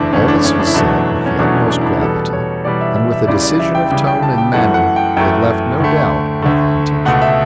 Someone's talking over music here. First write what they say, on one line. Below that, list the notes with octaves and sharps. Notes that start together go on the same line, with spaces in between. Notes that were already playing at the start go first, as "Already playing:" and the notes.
All this was said with the utmost gravity, and with a decision of tone and manner that left no doubt of the intention.
Already playing: F#1 E2 D3 A3 D4 E4
F#1 E2 D3 A3 C#4
D4
C#4
D4
E4
E2 B2 F#3 A3 D4
C#4
E2 B2 F#3 A3 D4
C#4
D4
E4
D4
E2 B2 G3 A4
C#5
E2 B2 G3 D5
E5
E5
E5
C#2 C#3 E3 G3 D5
D5
E5
G5
C#2 C#3 E3 G3 G5
G5
A5
G5
F#2 E3 A3 F#5
F#5
G5
F#2 E3 A3 G5
D2 D3 A3
D2 D3 A3
C#2 B2 A3 F#5
E5